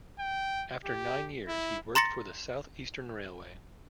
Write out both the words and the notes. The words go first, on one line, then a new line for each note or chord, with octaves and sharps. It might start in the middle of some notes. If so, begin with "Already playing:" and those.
After nine years, he worked for the South Eastern Railway.
G5
G4
E4
A#5 C6 A6 A#6 C#7